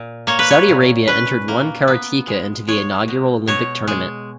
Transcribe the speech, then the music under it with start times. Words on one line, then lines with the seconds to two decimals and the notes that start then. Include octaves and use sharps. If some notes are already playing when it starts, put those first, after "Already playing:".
Saudi Arabia entered one karateka into the inaugural Olympic tournament.
Already playing: A#2
0.27 A#3 C#5
0.39 B4
0.50 C#5
0.68 A#2
1.08 C#4 B4
1.48 A#3
1.88 B3
2.28 G#3
2.68 G#3 C#5
3.08 B2
3.47 B2 C#5
3.88 G#3